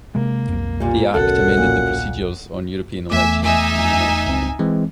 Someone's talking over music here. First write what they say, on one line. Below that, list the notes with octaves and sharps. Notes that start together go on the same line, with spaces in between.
The Act amended the procedures on European elections in the United Kingdom.
C3 G#3 A#3
B1 F2
A#2 G3
D#1 B1 F#2 B2 A4 F#5
A#2
E2 A3 E5 G#5 D6
D#4 E5 G#5
C#2 C4
E3 G#3 C4